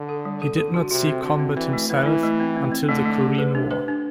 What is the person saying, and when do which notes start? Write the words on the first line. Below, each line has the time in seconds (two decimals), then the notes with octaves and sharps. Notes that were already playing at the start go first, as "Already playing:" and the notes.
He did not see combat himself until the Korean War.
Already playing: D3
0.09 A4
0.25 G3
0.42 A4
0.57 D3 A4
0.74 F#4
0.91 C3 F#4
1.07 C4
1.23 D3 F#4
1.40 C4
1.57 E3 C4
1.73 A3
1.89 E3 C4
2.06 E4
2.23 A3
2.40 C4
2.56 C4
2.72 C4
2.89 D3 A3
3.05 A3
3.21 G4
3.38 B4
3.55 C3 D4
3.71 B4
3.88 D4